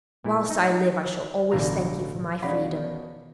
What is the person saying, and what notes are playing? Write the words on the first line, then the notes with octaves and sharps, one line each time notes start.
Whilst I live, I shall always thank you for my freedom.
A#2 E4
D#4
A1 B2 D3 E3 F4 A#5
E2 B2 C#4 D#4 D5 F5 F#5 B5